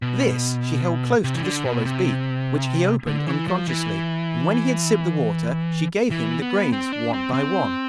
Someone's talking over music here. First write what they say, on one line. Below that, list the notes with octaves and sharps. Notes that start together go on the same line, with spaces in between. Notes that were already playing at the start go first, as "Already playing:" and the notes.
This she held close to the swallow's beak, which he opened unconsciously, and when he had sipped the water she gave him the grains one by one.
B2
C3
E3
D3
B2
C3
D3
E3
F3
E3
E3
B3
C4
D4
C4
C4